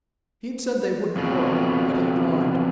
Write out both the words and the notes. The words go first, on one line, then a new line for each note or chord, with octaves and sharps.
He'd said they wouldn't work, but he'd lied.
F2 B2